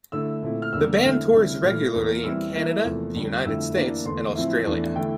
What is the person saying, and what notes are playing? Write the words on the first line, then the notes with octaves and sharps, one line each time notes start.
The band tours regularly in Canada, the United States and Australia.
D3 A3 E4 E6
A#2 A3 C4 E4
F6
E2 D3 G3 A#3 E6
D3 A3 C4 E4 F6
D3 G3 C4 E4
A#2 A3 E4 F6
E2 E3 A#3
E3 G3 C4 E4 E6
E3 A#3 E4
E2 C3 F3 A3
F2 D3 G3
F2 D3 A3 E4 E6
E3 A#3 D4
E2 D3 A3 C6
A2 F3 C4 E4 E5
E2 E3 A3 D4
D3 A3 E4 G5